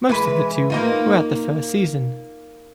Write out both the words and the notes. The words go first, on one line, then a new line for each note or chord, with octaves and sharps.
Most of the two were at the first season.
E3 G#3 B4
A#3 D#4 F4